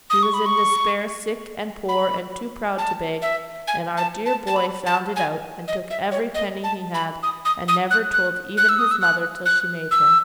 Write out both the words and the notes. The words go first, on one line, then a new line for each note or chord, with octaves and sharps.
He was in despair, sick and poor, and too proud to beg; and our dear boy found it out, and took every penny he had, and never told even his mother till she made him.'
D#6
C#6
B5
C#6
B5
A5
E5
G#5
A5
A5
A5
B5
A5
G#5
D#5
E5
C#5
D#5
A5
B5
D#6
D#6
D#6
F#6
F#6
F#6
E6
D#6
E6
F#6
F#6
E6